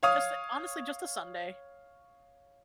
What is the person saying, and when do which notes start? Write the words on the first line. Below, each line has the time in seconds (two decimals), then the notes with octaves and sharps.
just a honestly just a Sunday.
0.03 C#5 F5 D#6